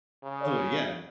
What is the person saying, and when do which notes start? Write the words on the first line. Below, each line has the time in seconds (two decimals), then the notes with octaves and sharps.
Oh, yeah.
0.24 C#3